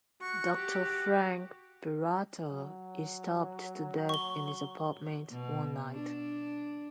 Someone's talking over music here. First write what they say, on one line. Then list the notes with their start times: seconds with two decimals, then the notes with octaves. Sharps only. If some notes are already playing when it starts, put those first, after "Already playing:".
Doctor Frank Peralta is stabbed to death in his apartment one night.
0.22 F#4 C#6
0.56 G4
2.52 F#3
4.09 C#6 G7
5.29 B2
5.93 D4